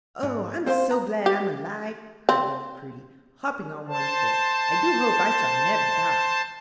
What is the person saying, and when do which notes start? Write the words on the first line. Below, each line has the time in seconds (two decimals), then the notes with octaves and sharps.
"O, I'm so glad I'm alive!" cried little Prudy, hoping on one foot; "I do hope I shall never die!"
0.23 G#2
0.66 C4 C5 F5 C6
0.91 A#5
1.26 G4
2.29 C4
3.88 C5 A5